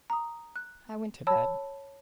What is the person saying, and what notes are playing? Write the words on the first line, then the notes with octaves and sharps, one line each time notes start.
I went to bed.
A#5 D#6
F#6
C#5 A5 B5 E6